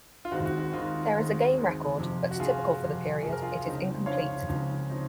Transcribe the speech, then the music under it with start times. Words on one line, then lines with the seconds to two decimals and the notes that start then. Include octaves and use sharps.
There is a game record, but typical for the period, it is incomplete.
0.25 F4
0.32 D#2 D#3 G#3 C4 D#4 F#4
0.45 F#4
0.59 F#4
0.73 D#2 D#3 G#3 C4 D#4 F4
1.15 D#2 D#3 G#3 C4 D#4
1.56 D#2 D#3 G#3 C4 D#4
1.98 F2 C3 F3
2.31 F#4
2.40 F2 C3 F3 F4 G#4
2.82 F2 C3 F3
3.23 F2 C3 F3 G#4
3.32 A#4
3.42 F4 G#4
3.64 C#2 C#3 F3 C4 D#4
4.06 C#2 C#3 F3 C4 D#4 C#5 F5
4.48 C#2 C#3 F3 C4 D#4
4.89 C#3 F3 C4 D#4